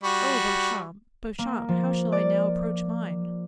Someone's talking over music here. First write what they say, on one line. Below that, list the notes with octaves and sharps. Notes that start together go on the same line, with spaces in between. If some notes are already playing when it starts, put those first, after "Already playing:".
Oh, Beauchamp, Beauchamp, how shall I now approach mine?
G3 F#4 C#6
A#3
F3
D5